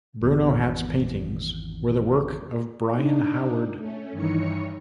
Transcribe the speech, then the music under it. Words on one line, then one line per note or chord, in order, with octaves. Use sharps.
Bruno Hat's paintings were the work of Brian Howard.
G#1 E2 B3
D4 D#4
A3 C#4
G2 D#3 E3 D#4 C#5 C#7